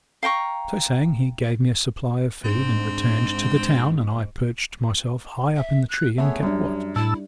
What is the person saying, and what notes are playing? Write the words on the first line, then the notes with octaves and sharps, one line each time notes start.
So saying he gave me a supply of food, and returned to the town, and I perched myself high up in the tree and kept watch.
F5 G5 A#5 C#6
G#2 C4 D4
E5
F#6
A3 B3 G#4 C#5 E5
F#2 G3 D4
A2 E4 A5 E6